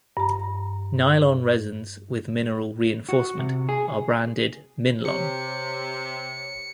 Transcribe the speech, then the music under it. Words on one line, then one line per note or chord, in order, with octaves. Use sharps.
Nylon resins with mineral reinforcement are branded 'Minlon'.
G2 A#5
F#4
C3
G#4
C3 G4 C#5 C#7